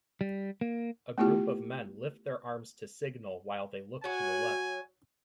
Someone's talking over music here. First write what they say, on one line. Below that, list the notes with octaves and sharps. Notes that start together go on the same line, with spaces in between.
A group of men lift their arms to signal while they look to the left.
G3
A#3
A3 B3 E4 F4 G4
F#3 F#4 G#5